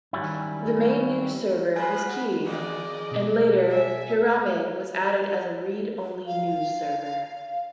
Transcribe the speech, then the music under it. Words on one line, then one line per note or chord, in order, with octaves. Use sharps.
The main newsserver was kirin, and later hirame was added as a read-only newsserver.
D#3 F#3 G3 C#4 E4
G3 B4 C5 G#5
F#4
E2 D#3 G#3 D5 D#5
B2
E5 G#5
F5